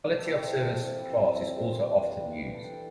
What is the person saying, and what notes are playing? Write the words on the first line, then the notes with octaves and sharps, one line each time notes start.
Quality of service class is also often used.
A4
E4 G4
C4 A4
F3 A4
C3 G4
E4
C4
F3
C3
E3 F4
D4
G3
E3
E3 G4
A4
D4 G5
A5